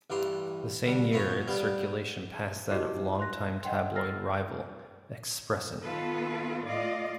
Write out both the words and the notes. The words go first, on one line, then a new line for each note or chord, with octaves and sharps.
The same year its circulation passed that of long-time tabloid rival "Expressen".
A1 G2 E3 G4 C6
D3 G3
A3 B3 F4 C5 C#5
G3 B3 F5
E4 F#4 G4 D#5 D6
C6 F#6 A#6
D#5 F#5 G5 C6
E6 F6 A6 A#6 C7
D#3 B3 F4 A4 B4
A2 A3 F4 D5 D#5 F5